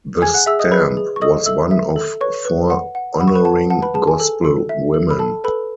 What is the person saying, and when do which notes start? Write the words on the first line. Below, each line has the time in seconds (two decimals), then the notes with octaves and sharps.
The stamp was one of four honoring gospel women.
0.22 G#4 G#5 G#6
0.34 F#5 F#6
0.46 G#4 E5 E6
0.59 D#5 D#6
0.72 G#4 B4 B5
0.97 G#4
1.16 C#6
1.21 A4 D#5 D#6
1.46 A4 E5 E6
1.71 E5
1.96 A4
2.21 B4 C#5 C#6
2.45 B4
2.70 F#5
2.95 F#5
3.20 F#5 B5
3.28 C#6
3.35 B4 B5
3.45 F#5 A5
3.70 F#5 A5
3.82 B4 B5
3.94 G#4 A5
4.07 G#5
4.20 A4
4.45 A4
4.69 E5
4.94 A4
5.10 B5
5.19 A4 A5
5.44 A4 B4 B5